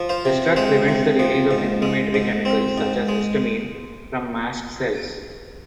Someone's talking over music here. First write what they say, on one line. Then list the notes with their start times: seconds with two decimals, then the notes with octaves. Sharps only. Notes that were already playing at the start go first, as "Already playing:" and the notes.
This drug prevents the release of inflammatory chemicals such as histamine from mast cells.
Already playing: F3
0.09 C5 F5
0.25 C3
0.56 G#3 C5 F5
0.88 C3
1.19 F3
1.51 G#2
1.82 G#3
2.14 G#2
2.45 C4
2.78 G#2
3.09 G#3